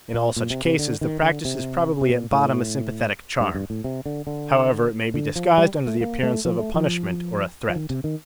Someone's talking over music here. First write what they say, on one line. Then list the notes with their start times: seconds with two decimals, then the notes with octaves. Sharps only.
In all such cases the practice is probably at bottom a sympathetic charm, however it may be disguised under the appearance of a punishment or a threat.
0.14 A#2
0.36 A#2
0.50 C3
0.65 C3
0.79 D3
1.01 D#3
1.22 D3
1.45 C3
2.01 C3
2.10 A#2
2.31 A2
3.40 G2
3.55 G2
3.70 A2
3.84 C3
4.06 D3
4.27 D3
5.14 D3
5.36 F3
5.58 G3
5.87 A3
6.01 A#3
6.23 A3
6.45 F3
6.59 A3
6.74 F3
7.69 F3
7.76 D#3
7.90 C3
8.04 D#3